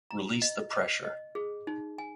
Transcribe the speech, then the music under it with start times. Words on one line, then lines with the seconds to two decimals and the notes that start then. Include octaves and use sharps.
Release the pressure.
0.11 A#5
0.42 D#5
0.73 D#5
1.04 D#5
1.35 G#4
1.67 D#4
1.98 G#5